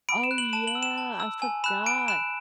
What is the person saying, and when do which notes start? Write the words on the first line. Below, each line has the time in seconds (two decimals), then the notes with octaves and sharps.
Oh yeah, I forgot.
0.09 B5 D7
0.24 E7
0.31 F#6
0.38 F#7
0.53 A5 E7
0.67 F#7
0.75 E6
0.83 E7
0.98 A5
1.20 E6
1.42 G#5
1.64 B5 F#6 E7
1.86 G#5 D7
2.08 B5 F#6 E7